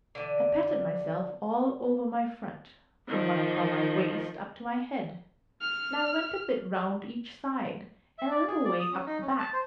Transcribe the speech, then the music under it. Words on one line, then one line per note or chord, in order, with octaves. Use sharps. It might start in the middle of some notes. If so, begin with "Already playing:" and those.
I patted myself all over my front, from what I call my waist up to my head, and I went a bit round each side, and a little way up the back.
D3 E3
D#3 F3
F6
E5
D5
G#4
D5
D#6
C#4
D#4
C#4
A5
C5